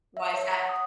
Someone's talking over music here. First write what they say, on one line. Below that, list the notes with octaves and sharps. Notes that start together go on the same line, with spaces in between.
Why's that?
E5
C#5
F#5
D#6